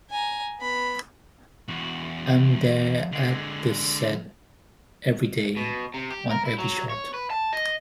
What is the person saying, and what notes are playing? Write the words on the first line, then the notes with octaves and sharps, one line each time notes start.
I'm there at the set every day, on every shot.
G#5 A#5
B3 B5
E2 F#4
D3 G#3
B2
C3
G4
A#4
E4
F#3
C#5
B4
A5
D#5